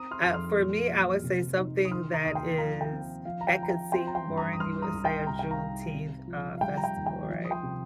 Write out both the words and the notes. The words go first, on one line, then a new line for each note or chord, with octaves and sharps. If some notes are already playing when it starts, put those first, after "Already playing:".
uh for me, I would say something that is that could seem boring you would say a Juneteenth, uh, festival, right?
Already playing: C4 A#5 D#6
C6 F6
F2
C6 F6
A#2
A#2
C3
D#4
D#6
D#3 C6 F6
A#5 D#6
D#2 D#6
G5 C6
F3 F5 A#5
G5
C4
F3 F5
A#5
G5
F3 A#5
G5
C4 G5 C6
A#5
G5 C6
G2
A#5 D#6
D#6
C2 C6 F6
A#5 D#6
C2
G5 C6
C3 A#5
G5
F5 A#5
D#4
C3
F3
F5
G3 G5
A#5
G5
D#2
G5
F3
D#6
G5 C6
C3